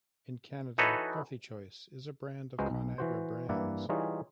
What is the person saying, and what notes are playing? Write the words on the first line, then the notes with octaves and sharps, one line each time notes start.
In Canada, Healthy Choice is a brand of ConAgra Brands.
E3 D#4 F#4 A4 B4 C#5
C#2 G#3 F#4 B4 C5 A#5
B1
E3 F#4 C5
G2 E3 A#3 E4 D5 F#5
E3 G3 D#4 F4 G#4 C#5